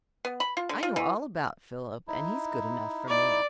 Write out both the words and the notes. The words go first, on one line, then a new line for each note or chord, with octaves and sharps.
"I know all about Philip, and he's good enough for me."
B3
B5
F4
D3
F4
E3
D#4 E4
D#4 E4 D5